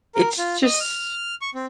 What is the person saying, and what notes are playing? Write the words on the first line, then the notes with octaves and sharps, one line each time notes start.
it's just
A#4
F4
D#5
F6
C#6
C4